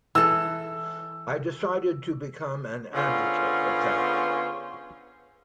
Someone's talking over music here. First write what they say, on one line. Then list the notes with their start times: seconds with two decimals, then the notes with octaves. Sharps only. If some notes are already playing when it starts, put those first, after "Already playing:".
I decided to become an advocate of that.
0.15 E3 A4 E6
2.93 D3 B3 C#4 F4 G#4 C5